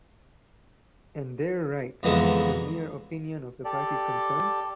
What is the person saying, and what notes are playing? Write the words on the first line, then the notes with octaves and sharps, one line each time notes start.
And there writes ""The mere opinion of the parties concerned?
F2 D3 E3 G#3 B3 D#4
G4 A4 D5